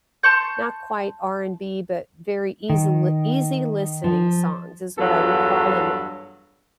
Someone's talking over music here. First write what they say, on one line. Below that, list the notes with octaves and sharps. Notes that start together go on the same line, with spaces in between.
not quite R&B, but very easil easy listening songs is what I would call them,
A5 C6 C#6 G6
D#3
F3
E2 G2 F#3 F4 A4